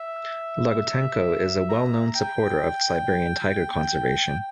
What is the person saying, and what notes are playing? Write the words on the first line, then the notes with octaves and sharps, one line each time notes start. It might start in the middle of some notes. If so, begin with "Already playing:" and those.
Lagutenko is a well-known supporter of Siberian tiger conservation.
Already playing: E5
A#5
G5